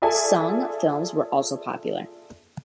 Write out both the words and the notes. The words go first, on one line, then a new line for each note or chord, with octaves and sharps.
"Sung" films were also popular.
F4 G#4 A4 D5 E5 G#5